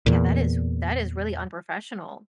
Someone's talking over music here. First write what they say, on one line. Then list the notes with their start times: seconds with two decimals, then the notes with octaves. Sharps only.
Yeah, that is that is really unprofessional.
0.06 E2 A#2